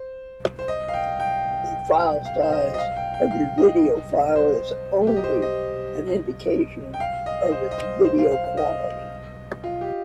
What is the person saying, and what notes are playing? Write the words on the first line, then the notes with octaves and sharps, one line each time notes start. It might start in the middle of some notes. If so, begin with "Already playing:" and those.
The filesize of a video file is only an indication of its video quality.
Already playing: C5
C5
D#5
F5
G5
G5
F5
C5
D#5
D#5
F5
G5
G5
F5
D#5
C5
G4
D#5
C5
D#5
G5
F5
D#5
D#5
C5
D#5
C5
C5
F5
F5
F5
D#5
F4
G4